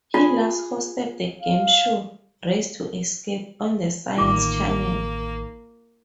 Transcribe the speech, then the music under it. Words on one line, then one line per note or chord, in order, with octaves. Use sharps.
He last hosted the game show "Race to Escape" on the Science Channel.
F4 G#4
F5
A1 D#3 A#3 F4 D6